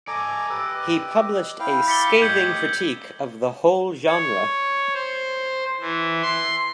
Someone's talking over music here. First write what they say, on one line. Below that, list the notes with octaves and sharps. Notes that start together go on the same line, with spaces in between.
He published a scathing critique of the whole genre.
A4 D5 D#5 G#5 A#5
G4 B4 E6
D#5
E4 F5 G5
D5 B6 C#7 G7
A2 G3 D#5 G6 G#6 F#7
C#5
C5
E3
C6